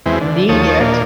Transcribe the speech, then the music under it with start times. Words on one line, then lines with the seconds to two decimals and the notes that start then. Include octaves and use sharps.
need it
0.06 E2 E3 G#3 C4
0.21 D3
0.49 D#2 F3 C#5 A5 D#6
0.80 A#2 A#3 D4